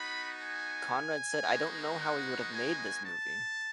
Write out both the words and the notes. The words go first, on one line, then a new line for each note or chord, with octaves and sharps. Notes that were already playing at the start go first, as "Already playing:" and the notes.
Conran said, I don't know how we would have made this movie.
Already playing: B3 D#4 F#4 B5
G#5
G#3 B3 D#4 F#4
F#5
G#5
A5